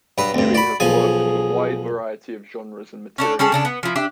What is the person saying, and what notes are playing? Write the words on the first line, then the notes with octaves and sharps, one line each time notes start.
Dewey has worked with a wide variety of genres and materials.
G2 F#3 B4
D2 G2
F#4 D5 B5
B1 F3 G#4 G#5
C#4 D4 A4
G3 C#4 G#4 A4
C#3 D4 A4
B3
F3 E4
D4 G4 E5